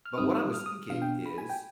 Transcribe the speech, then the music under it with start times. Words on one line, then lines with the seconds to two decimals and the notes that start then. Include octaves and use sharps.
but what I was thinking is,
0.05 F6
0.18 G#2 G3 C4 D#4 D#6
0.54 F6
0.66 D#6
0.90 B2 B3 D4 F4 F5
1.02 G5
1.26 B5
1.38 G#5
1.49 G5